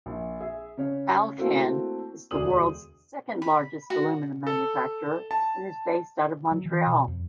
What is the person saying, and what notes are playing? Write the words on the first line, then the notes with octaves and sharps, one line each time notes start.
Alcan is the world's second largest aluminium manufacturer and is based out of Montreal.
A#1
G#4 E5
C#3 C#5
A3 A#3 C4 E4 F#4
E1 D2 G#4 D5 D#6 F#7
B5
F#4
A4
A5
F#3
E3
B2
F2